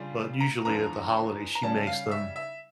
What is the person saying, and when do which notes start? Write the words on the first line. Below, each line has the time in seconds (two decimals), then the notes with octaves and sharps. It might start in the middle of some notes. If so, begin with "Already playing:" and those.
but usually at the holidays she makes them,
Already playing: C#3 G3 D4 F4
0.40 A#5
0.65 E2 D3 F3 A#5
1.55 A#5
1.62 C#3 G3 C#4 A5
1.87 F5
2.11 E5
2.36 E5